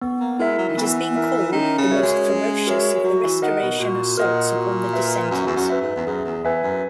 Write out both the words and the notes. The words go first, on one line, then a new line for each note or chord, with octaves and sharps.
It has been called "the most ferocious of the Restoration assaults upon the dissenters".
B3
A#3
G#3 E4 A#4 E5
F#3
D#3
E3 B3
E4 A#4 E5
D#3 C#4
C#3
F#4 A#4 C#5 E5
G#3
C#4
F#4 A#4 C#5 E5
G#3
F#3 F#4
E3
D#3 A#4 D#5 F#5
B2
A#2 F#4
A#2 A#4 D#5 F#5
F#4
B4 E5
F#2 F#4
E2
F#2
B4 E5
G#2
E2
F#2 G#4
E2
E2 B4 E5 G#5
F#2